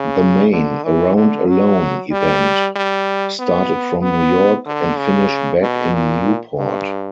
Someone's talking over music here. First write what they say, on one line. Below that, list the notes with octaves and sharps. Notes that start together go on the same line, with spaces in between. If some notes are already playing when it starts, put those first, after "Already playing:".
The main "Around Alone" event started from New York, and finished back in Newport.
Already playing: C#3
D3
E3
D3
F#3
G3
G3
B3
B3
D3
C#3
B2
A#2
G2